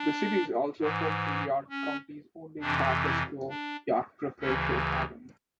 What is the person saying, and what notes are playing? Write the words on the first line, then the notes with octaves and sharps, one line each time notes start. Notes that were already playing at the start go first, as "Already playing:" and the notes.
The city is also home to York County's only Charter school, York Preparatory Academy.
Already playing: D4
G#2 E3
C#4
F2 C3 E3 D4
E4
D4
D2 C#3 E3 C#4